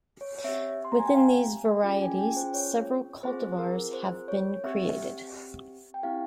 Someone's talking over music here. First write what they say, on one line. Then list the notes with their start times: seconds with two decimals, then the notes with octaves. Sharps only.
Within these varieties, several cultivars have been created.
0.21 C#5
0.38 C#5
0.44 C4 G4 E5
0.85 C6
0.92 A#5
0.99 G#5
1.06 G5
1.14 F5
1.83 C#4 F4 G#4 G5
2.02 G#5
2.19 G5
2.36 C5
2.54 C#5
3.23 C4 F4 G#4 C5
3.58 A#4
3.94 C5
4.28 C#5
4.64 C4 G4 E5
5.94 G5
6.03 C4 E4 G4 F5